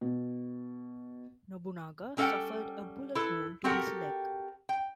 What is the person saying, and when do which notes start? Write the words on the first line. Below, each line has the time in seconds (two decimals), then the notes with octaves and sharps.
Nobunaga suffered a bullet wound to his leg.
0.01 B2
2.17 G3 C#4 A4 D#5 F#5 G5
3.15 E4 A4 B4
3.64 C4 F#4 G4 A4 A#4 F#5
4.69 G5